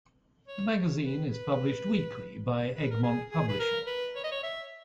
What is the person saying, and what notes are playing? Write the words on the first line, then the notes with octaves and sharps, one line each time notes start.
The magazine is published weekly by Egmont Publishing.
C#5
C#5
B4
B4
B4
A#4
G#4
G#4
B4
A#4
B4
C#5
D#5
C#5
E5